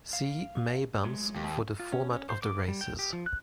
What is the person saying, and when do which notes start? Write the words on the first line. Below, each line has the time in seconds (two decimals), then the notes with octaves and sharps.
See May Bumps for the format of the races.
0.13 F5
1.05 F#3 G#3 A3
1.36 D#2
1.80 F4
1.92 C#4
2.10 C#4
2.29 C5
2.42 D6
2.68 G3
2.81 G5
2.99 G4
3.13 F3
3.26 F#6